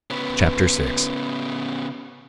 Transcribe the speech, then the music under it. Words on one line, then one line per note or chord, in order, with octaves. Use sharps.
Chapter VI.
C#3 B3